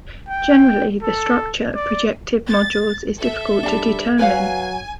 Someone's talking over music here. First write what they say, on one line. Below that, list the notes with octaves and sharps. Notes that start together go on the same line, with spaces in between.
Generally, the structure of projective modules is difficult to determine.
G5
A4
D5
A6
A4 E5
G3 D4 A5
F#3 B4 C#5 F5 G#5